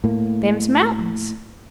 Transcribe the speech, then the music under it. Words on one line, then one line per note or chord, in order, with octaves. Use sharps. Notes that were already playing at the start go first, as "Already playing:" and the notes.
"Them's mountains."
A2 A#3